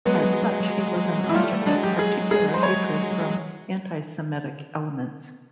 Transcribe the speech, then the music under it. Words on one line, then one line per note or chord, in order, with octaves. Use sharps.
As such he was an object of particular hatred from antisemitic elements.
F#3 G#3 B3
G#3 E4
G3 A3 F4
F#3 G#3 D4
G4
G#4
G#4
C5
C#5